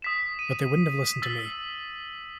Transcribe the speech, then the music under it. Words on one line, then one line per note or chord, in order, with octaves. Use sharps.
But they wouldn’t have listened to me.
D#6 B6 E7
D#7
E6 A6 B6 F#7